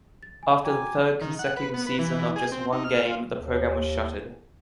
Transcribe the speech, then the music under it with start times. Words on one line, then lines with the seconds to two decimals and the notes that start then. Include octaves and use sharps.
After the third consecutive season of just one game the program was shuttered.
0.23 A6
0.43 G#5
0.64 F#4 G5 G#5 A#5 D6
1.21 D#3
1.39 F#5
1.57 B4
1.74 B3
1.86 B4
1.99 E3
2.36 G#4
2.52 C4
2.72 D#4
2.84 F6
3.05 F4
3.37 D#2